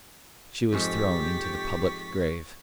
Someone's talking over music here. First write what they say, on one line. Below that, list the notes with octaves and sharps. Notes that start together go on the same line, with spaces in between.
She was thrown into the public grave.
F2 G#2 G#3 G4 C#6 A6 B6